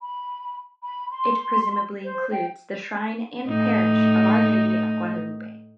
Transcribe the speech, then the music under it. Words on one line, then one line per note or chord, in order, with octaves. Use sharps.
It presumably includes the shrine and parish of Our Lady of Guadalupe.
B5
B5
C6
C5
G5
A2 D#4